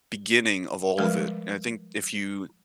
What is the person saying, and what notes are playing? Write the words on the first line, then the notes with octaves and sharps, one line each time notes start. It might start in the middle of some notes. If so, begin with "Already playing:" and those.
beginning of all of it. And I think if you
F3 G3 G#3 A#4 B4